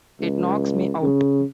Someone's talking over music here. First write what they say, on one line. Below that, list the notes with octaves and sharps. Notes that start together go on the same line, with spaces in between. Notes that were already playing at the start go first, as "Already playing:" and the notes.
It knocks me out.
C#2
C#3